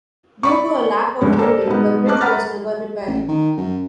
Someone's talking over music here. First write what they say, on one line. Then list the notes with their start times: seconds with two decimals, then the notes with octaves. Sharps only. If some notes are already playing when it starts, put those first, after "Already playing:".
Due to a lack of funding, the bridge was never repaired.
0.43 D5 B5 C#6
1.21 D2 D3 G#3 C#5
1.39 A4 A#4 C5 D5
1.68 G#2 B2 B3
2.07 A3 C#4 D#5 A5 D6 F#6
2.21 B4 F#5 A#5 B5 F6 A6
3.07 A1
3.28 D#3
3.57 F#2